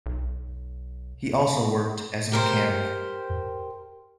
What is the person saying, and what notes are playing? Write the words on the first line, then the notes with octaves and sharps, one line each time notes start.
He also worked as a mechanic.
B1
G4 A#4 C5